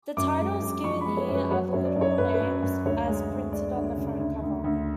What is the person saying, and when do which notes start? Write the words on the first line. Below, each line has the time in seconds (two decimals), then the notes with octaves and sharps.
The titles given here are the literal names as printed on the front cover.
0.17 F#2 D6
0.40 G#3
0.62 F#2
0.84 F3 C#6
1.01 B5
1.06 G#3
1.17 C#5
1.29 F#2
1.35 B4
1.51 F#3 C#5
1.73 F#2 C#5
1.85 D5
1.96 F#2
2.01 C#5
2.18 F#2 B4
2.34 B4
2.40 F#2
2.63 F#2
2.85 D2 C#5
3.08 G#3
3.30 D2
3.52 G#3 D5
3.74 D2
3.97 C#3
4.19 D2
4.42 D2
4.64 D2